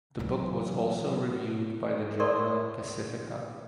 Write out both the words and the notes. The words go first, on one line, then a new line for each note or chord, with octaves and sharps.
The book was also reviewed by the journal "Pacifica".
E3 F#3
A4 A#4 D5 C6 C#6